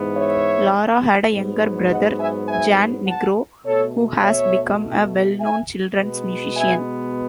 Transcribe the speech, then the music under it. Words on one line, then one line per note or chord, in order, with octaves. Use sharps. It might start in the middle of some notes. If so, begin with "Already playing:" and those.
Laura had a younger brother, Jan Nigro, who has become a well-known children's musician.
Already playing: G#2 E3 B3
C#5 E5
G#2 F#3 B3
D#5 F#5
E5 G#5
E5 G#5
F#5 A5
B2 A3 A4 C#5
C#5 E5
E5 G#5
B2 G#3 B3
E5 G#5